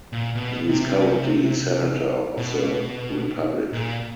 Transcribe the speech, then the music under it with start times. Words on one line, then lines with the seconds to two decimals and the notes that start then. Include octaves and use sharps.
He is currently Senator of the Republic.
0.13 A#2
0.35 B2
0.69 C3
2.37 B2
3.73 A#2